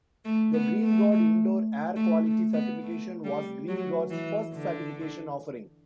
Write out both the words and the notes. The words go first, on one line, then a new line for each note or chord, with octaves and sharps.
The Greenguard Indoor Air Quality Certification was Greenguard's first certification offering.
A3
B3
A3
A3
A3
B3
A3
G3
F#3
E3
D3